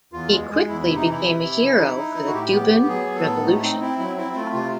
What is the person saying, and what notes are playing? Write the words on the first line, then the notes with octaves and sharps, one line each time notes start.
He quickly became a hero for the Cuban revolution.
E2 F4
G#3
G#3
E2 E4
C3 E4
D#4
E3 E4
C3
C3
F3
D#4
D#4
D#4
F#4
A2 G4
B3
B3
G4
F#3 G#4
B3
A4
A2
A3 D#4
C4 D#4
C4 E4
F#3 E4
C4 E4
A3 F4
C3 F4